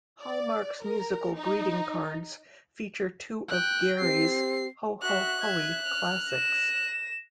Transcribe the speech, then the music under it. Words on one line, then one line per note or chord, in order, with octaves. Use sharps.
Hallmark's musical greeting cards feature two of Gary's "Ho Ho Hoey" classics.
D5
A#4
D#4
G5 F#6
C4 G4 C7
F#4 E5 F#6
E5 G#6
F6
A#6 E7